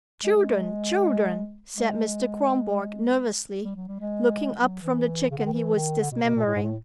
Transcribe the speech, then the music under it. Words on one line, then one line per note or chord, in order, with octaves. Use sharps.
"Children, children!" said Mr. Kronborg nervously, looking up from the chicken he was dismembering.
G#3
G#3
G#3
G3
F#3
G3
G#3
F#3
E3
C#3
D3
D#3
E3
D#3
D3
B2
B2
A#2
A2
G#2
A2